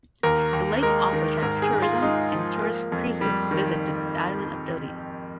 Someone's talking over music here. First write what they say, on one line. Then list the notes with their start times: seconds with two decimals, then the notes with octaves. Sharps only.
The lake also attracts tourism, and tourist cruises visit the island of Dodi.
0.23 D#2 A#4
0.53 D#2
0.82 G#3 A#4
1.13 D#3
1.42 G#2 A#4
1.62 G#4
1.73 G#2
1.82 F4
2.02 G#3 D#4
2.32 F3
2.62 A#3
2.92 F2
3.21 G3
3.51 D#3